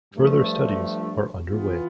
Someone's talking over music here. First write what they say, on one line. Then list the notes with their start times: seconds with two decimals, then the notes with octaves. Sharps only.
Further studies are underway.
0.14 G2 F3 A3
1.48 E3 B3 F4